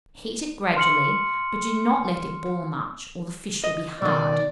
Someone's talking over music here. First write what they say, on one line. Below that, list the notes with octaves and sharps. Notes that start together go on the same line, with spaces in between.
Heat it gradually, but do not let it boil much, or the fish will be hard.
C6 F6 C#7 F#7
D#5
B2 D#3 D5